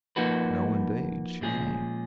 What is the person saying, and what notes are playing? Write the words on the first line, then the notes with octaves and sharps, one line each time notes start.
"No, indeed, she ain't."
F3 A#3 D#4 F#4 B4
A#2 F3 G#3 C#4 G#4